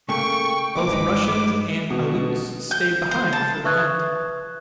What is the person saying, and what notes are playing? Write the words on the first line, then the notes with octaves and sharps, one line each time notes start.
Both Russians and Aleuts stayed behind for the hunt.
C#3 A3 A#3 G5 C#6
C#2 A#3 D6
G2 G#3 D#4 B4
B2
G6
C5
A5
B4 E5 C#6 D#6 F#6 G#6